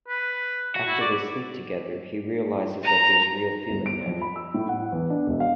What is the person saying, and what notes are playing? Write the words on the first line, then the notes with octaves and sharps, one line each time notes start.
After they sleep together, he realises that there's real feeling there.
B4
F#4
E4
D5
A#5
G1
D7
F2
B5
E6
A2
F#5
E2
D4
E1
F5